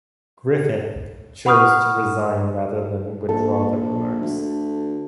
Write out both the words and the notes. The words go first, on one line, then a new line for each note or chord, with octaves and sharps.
Griffith chose to resign rather than withdraw the remarks.
F#5 B5 C#6 D#6 F6 G6
A#1 A4
D2